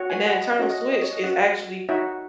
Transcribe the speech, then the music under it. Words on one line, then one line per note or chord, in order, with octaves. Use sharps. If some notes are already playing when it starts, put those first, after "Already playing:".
and that internal switch is actually
Already playing: F#4 C#5
G#5
F#5
D#5
D#5
C#4 F#4 C#5 E5
D#5
D#5
D#5
C#5
D#5
C#4 F#4 C#5 F#5
D#4 F#4 C#5 E5